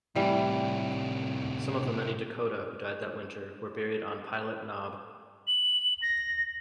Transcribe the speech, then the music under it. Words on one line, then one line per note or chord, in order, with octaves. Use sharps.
Some of the many Dakota who died that winter were buried on Pilot Knob.
A2 C3 E3 G3
F#7
A#6